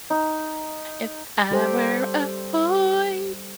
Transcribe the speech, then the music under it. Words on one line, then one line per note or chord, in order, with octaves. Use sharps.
If I were a boy,
D#4
G3 G4 A4 C5